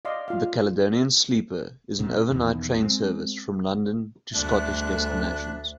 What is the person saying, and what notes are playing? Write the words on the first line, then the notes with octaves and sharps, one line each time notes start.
The Caledonian Sleeper is an overnight train service from London to Scottish destinations.
D5 D#5 F5 C6
F4 F5
A#2 C#3
E2 B2 D#3
G#3 C4
D2 G3 A3 D4 E5 F#6